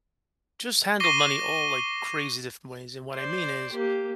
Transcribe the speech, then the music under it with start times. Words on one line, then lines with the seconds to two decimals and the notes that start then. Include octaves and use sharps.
just handle money all, like, crazy different ways, and what I mean is
1.00 C#6 D6 A#6 C7 D#7 G7
3.12 C5 D5
3.72 A#3 G4